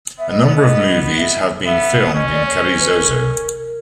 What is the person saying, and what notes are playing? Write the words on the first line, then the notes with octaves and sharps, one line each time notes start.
A number of movies have been filmed in Carrizozo.
B3 E5
D#5
D5
D#5
E5
B3 E5
C#4 D#5
D5
C#5
C5
B4
A#4
A#4